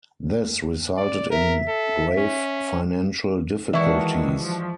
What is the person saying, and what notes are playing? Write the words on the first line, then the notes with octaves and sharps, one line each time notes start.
This resulted in grave financial difficulties.
D5
A#4 E5
A4
C#4
D#3 E3 G#3 D4 E4 F#4 E5 C#6
F3